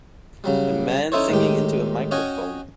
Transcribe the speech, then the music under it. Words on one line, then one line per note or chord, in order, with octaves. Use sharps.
A man singing into a microphone.
C#3 F#3 G3
C#4 D#4 E4 A4 C5 C#5
A2 D#3 G#3 G4
C#4 F#4 C#5 D#5 G5 G#5